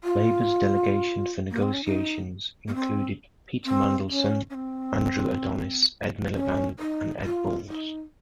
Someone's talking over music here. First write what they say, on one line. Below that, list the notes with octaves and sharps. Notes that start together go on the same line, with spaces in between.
Labour's delegation for negotiations included Peter Mandelson, Andrew Adonis, Ed Miliband, and Ed Balls.
F4
A#3
C4
C#4
D#4
A#3
C4
C4
C#4
C#4
C4
C#4
D#4
F4
D#4